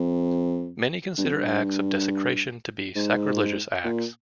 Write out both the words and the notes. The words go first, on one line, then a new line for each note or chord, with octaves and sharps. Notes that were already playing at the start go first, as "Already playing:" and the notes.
Many consider acts of desecration to be sacrilegious acts.
Already playing: F2
G2
F2
G2
G#2
A#2